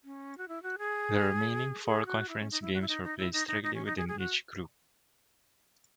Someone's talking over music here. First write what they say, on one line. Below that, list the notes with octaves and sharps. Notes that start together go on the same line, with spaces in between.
The remaining four conference games were played strictly within each group.
C#4
F#4
E4
F#4
G#4
G#4
F#4
E4
C#4
D#4
E4
F#4
E4
D#4
D#4
E4
D#4
D#4
D#4
C#4
D#4
G#4
G#4
F#4